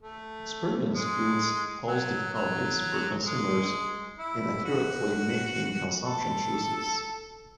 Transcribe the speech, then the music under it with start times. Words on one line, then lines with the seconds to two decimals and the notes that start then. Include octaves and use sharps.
Experience goods pose difficulties for consumers in accurately making consumption choices.
0.02 A3
0.94 G#3
1.87 F#3
2.33 F#3
3.26 G#3
4.19 E4
4.65 F#4
6.04 A4